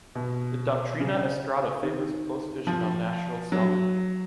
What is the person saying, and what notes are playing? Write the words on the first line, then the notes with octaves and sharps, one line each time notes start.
The Doctrina Estrada favors a close vision on national sovereignty.
B2
C#3
D#3
F3
F#3